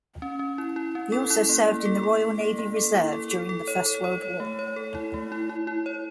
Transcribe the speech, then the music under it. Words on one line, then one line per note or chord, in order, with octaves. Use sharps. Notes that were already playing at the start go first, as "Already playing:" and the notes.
He also served in the Royal Navy Reserve during the First World War.
C#4
C#4
E4
E4
C#4
A4
E4
A#3
A#3
A4
A4
A4
A#3
A#3
A4
E4
A4
A4
A4
C#5
A4
C#5
C#5
A3
C#5
A4
E4
A3
E4
E4
E4
C#5